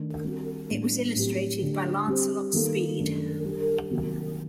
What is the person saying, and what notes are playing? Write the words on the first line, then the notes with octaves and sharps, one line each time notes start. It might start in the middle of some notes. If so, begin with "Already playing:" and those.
It was illustrated by Lancelot Speed.
Already playing: D#3 A3 D4
G3 C4 F#4
A2 G3 A#3 D4
A2 F#3 C4 G4
D3 A3 D4 G4
G3 C4 G4 C5
D#3 G3 A#3 D#4 A4
F#2 D#3 A3 D4 A4
G3 D4 G4
C3 D#3 F#3 A#3 F#4